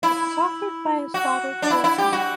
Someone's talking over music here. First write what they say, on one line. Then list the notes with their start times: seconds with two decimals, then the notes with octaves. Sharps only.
It was offered by his daughter to the town.
0.03 E4
1.14 F#4
1.62 D4
1.70 E4
1.84 E4
1.98 G4
2.13 F#4